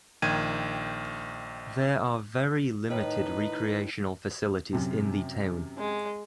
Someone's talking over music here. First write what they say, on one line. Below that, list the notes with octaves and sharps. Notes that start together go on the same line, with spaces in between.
There are very limited recreational facilities in the town.
A#1 D#3 G5 G#6 D#7
A2 D#3 D#4 B4
F#2 C3
G#3